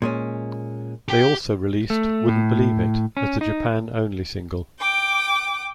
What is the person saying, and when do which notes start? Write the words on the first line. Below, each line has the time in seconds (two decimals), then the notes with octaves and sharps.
They also released Wouldn't Believe It as a Japan-Only single.
0.02 A#2 G#3 C#4
1.08 G4 G5
1.90 A3
2.28 A2
3.17 C#4
3.41 D#4
4.79 G5 D6